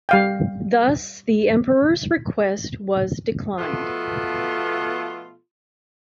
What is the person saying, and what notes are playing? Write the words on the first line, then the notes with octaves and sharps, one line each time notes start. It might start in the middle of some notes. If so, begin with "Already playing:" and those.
Thus, the Emperor's request was declined.
G3 F5 G5
B2 F3 A3 B3 F4 A4